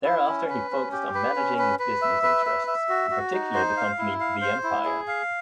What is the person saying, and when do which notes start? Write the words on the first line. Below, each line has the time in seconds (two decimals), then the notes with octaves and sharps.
Thereafter he focused on managing his business interests, in particular the company "The Empire".
0.05 E4
0.28 C#4
0.49 B4
0.71 C#4
0.92 G4
1.15 B4
1.36 C#4
1.59 B4
1.79 B4
2.02 E5
2.23 B4
2.46 E5
2.67 E5
2.89 F#4
3.11 F#4
3.33 D#4
3.54 C5
3.77 F5
3.99 E4
4.20 F5
4.41 C5
4.63 E4
4.85 G#4
5.07 F5